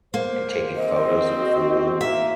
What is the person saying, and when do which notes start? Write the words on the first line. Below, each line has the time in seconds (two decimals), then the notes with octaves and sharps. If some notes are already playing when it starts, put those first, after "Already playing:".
and taking photos of the food,
0.14 A#3 C5
0.76 C4 D#5
1.38 F#4
2.01 A#3 E5